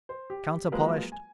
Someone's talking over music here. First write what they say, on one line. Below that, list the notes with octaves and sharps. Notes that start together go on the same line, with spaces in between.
Counter polished.
C5
G4
F3 F#3 G#3 A#3 A#4 B4
G#5